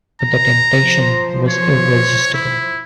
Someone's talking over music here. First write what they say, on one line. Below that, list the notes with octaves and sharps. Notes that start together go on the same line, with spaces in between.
But the temptation was irresistible.
A#5
F3 C5
C#5
E4